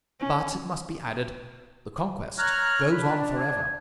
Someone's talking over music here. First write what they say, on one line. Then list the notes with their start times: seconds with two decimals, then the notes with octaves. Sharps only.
But, it must be added, the conquest goes on forever.
0.20 C#4
2.38 C#5 A#5 F6 F#6
2.90 B4
3.02 D4
3.36 G#5